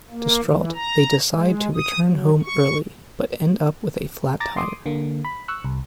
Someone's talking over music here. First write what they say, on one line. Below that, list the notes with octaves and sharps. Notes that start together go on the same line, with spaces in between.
Distraught, they decide to return home early, but end up with a flat tire.
A#3
E3
A#5
G#3
D#6
F#3
C#6
A#5 D6 A6 A#6
C6 D6 D#6
D3 A#3
B5
C#6 E6 F#6
C2